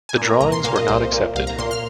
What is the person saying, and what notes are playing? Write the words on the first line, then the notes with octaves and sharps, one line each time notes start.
The drawings were not accepted.
G#5
A#2
A#3 A#5
C2 A#5
C6
A#2 A#3 F5
D#5
C2 C5
A#2 A#3
C2 F5
A#5
A#2 A#3 C6
F6